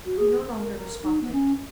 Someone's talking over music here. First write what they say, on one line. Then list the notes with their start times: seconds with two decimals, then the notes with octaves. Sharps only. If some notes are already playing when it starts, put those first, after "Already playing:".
He no longer responded.
0.05 F#4
0.17 G#4
0.46 A#4
0.74 A#4
1.03 D#4
1.20 B3
1.31 C#4